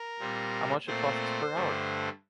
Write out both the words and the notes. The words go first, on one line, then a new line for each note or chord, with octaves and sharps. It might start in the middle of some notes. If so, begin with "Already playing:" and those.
How much it costs per hour?
Already playing: A#4
A#2 G3 C4
A#2 A3 C4 C5
G2 D3 A3